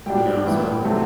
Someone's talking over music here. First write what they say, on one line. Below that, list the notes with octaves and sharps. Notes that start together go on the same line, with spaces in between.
you know, so I'm
B1 B2 G3 D4 G5
A1 G2 E3 B3 E4
C3 F#3 A3 C4